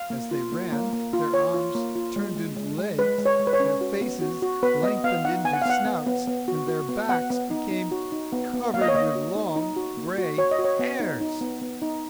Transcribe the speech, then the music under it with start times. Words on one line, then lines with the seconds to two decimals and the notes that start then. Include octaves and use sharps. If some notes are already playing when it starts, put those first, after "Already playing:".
As they ran, their arms turned into legs, their faces lengthened into snouts and their backs became covered with long gray hairs.
Already playing: F5
0.10 A#3
0.31 F4
0.52 A#3
0.72 A#3
0.93 A#3
1.13 F4
1.34 F4 C#5
1.54 F4
1.75 A#3
1.96 F4
2.16 G#3
2.37 G#3
2.57 G#3
2.78 G#3
2.99 G#3 B4
3.18 G#3
3.26 C#5
3.39 G#3
3.47 B4
3.53 C#5
3.60 C#4
3.81 F#4
4.01 B3
4.21 F#4
4.42 F#4
4.63 B3 B4
4.83 B3 D#5
5.04 B3 F5
5.24 D#4 F#5
5.45 B3 G#5
5.53 F#5
5.62 F5
5.65 B3 F#5
5.85 B3
6.07 B3
6.27 B3
6.48 F#4
6.68 F#4
6.89 B3
7.09 B3 F#5
7.30 B3
7.51 D#4
7.71 D#4
7.91 F#4
8.12 D#4
8.32 B3
8.53 B3
8.74 A#3 F5
8.81 D#5
8.88 C#5
8.94 A#3 D#5
9.15 F#4
9.35 D#4
9.56 D#4
9.77 F#4
9.97 A#3
10.18 F#4
10.38 F#4 C#5
10.51 D#5
10.59 F#4
10.64 C#5
10.79 B3
11.00 D#4
11.21 D#4
11.41 B3
11.62 B3
11.82 D#4